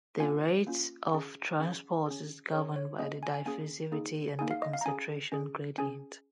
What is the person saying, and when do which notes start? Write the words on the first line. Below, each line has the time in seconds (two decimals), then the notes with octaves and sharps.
The rate of transport is governed by the diffusivity and the concentration gradient.
0.20 A#3 C#4 F4 G#5
0.67 A#3 C#4 F4
1.14 C#4 G#4
1.60 C#4 G#4
2.06 C#4 G#4
2.52 C#4 G#4 C#5
2.76 C#5
2.99 A#3 C#4 G#4 D#5
3.23 G#5
3.34 G#5
3.46 A#3 C#4 G#4 G#5
3.92 A#3 D#4 G#4
4.39 A#3 D#4 G#4 G#5
4.51 F5
4.62 D#5
4.73 F5
4.81 A#5
4.86 C#4 G#4 G#5
5.32 C#4 G#4
5.78 C#4 G#4 G#5